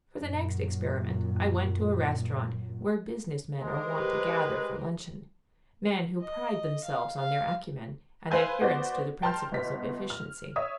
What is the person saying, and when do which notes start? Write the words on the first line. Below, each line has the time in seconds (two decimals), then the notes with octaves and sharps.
For the next experiment I went to a restaurant where business men are wont to gather for luncheon, men who pride themselves on their acumen and adherence to the principles of efficiency.
0.21 F#2 A#2
3.61 G#3 G4 A#4 C5
3.98 B4
6.22 D#5
6.84 F5
7.17 F5
8.31 B4 C5 F5 G#5 E6 G6
8.61 B3 F#4 C5 D5
9.22 G5 A5 A#5 C6 F6 G6
9.52 G1 B2 B6
10.10 F6
10.56 C#5 E5 D#6